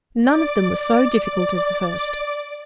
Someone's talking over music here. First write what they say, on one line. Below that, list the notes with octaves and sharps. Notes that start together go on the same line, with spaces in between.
None of them was so difficult as the first.
D5 D6